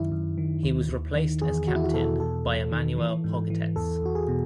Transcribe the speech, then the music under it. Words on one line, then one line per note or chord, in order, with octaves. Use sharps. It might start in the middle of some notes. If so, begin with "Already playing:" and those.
He was replaced as captain by Emanuel Pogatetz.
Already playing: F#2 D#3 E4
F#2
D#3
D#2
D#2
D#3
E2 G#4
E2 F#4
E4
F#4
B2 A4
E2 A4
E2
D#3
E3
G#2
E3
E2 A4
E2 F#4
G#4
B2